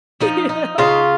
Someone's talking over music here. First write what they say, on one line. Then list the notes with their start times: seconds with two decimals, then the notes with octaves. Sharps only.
you know,
0.21 F3 D#4
0.49 D#4
0.78 C#3 F4